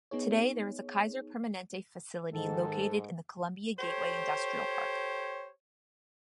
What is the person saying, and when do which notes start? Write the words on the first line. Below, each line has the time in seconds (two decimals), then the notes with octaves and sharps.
Today, there is a Kaiser Permanente facility located in the Columbia Gateway industrial park.
0.11 B3 D#4 G#4 C#5
2.33 G#2 D#3 A4
3.78 G4 A4 C5 C#5